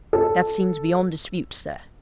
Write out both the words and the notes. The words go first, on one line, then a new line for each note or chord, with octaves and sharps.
"That seems beyond dispute, sir."
A4